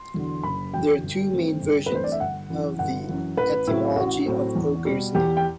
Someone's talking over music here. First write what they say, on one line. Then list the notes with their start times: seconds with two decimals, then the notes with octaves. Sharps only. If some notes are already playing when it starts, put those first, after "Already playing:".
There are two main versions of the etymology of Ogre's name.
Already playing: C6
0.14 E2 D3 F#3
0.43 F#1 B5
0.73 E2 D3 F#3 G5
1.03 G1
1.33 G2 E3 A3 C4
1.62 G1
1.86 B4
1.91 G2 E3 A3 C4 C5
2.04 D5
2.12 E5
2.20 G1 F#5
2.50 F#2 E3
2.79 G1 F#5
3.08 F#2 E3
3.37 A1 B4
3.67 A2 F#3 C4 E4
3.96 A1 F#4
4.26 A2 F#3 C4
4.55 E2
4.85 B2 G3
5.15 E2 G4
5.37 G5